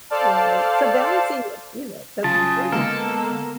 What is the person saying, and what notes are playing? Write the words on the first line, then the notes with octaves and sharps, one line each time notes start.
Right. So, balancing, you know, that's important.
A4 C5 D5 F5 A5
C#3 F#3 F4 A5
D3 G#3 A#3 B3 A4 A#4